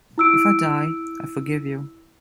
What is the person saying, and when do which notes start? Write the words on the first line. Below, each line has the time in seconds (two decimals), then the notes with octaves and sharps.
If I die, I forgive you.
0.18 E4 E6 D7